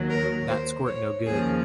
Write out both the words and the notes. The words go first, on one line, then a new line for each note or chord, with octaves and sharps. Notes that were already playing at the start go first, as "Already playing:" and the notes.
That squirt no good.
Already playing: D#2 D#3 F#3
A#4
C5
C#5
D#2 C#3 F3 G#4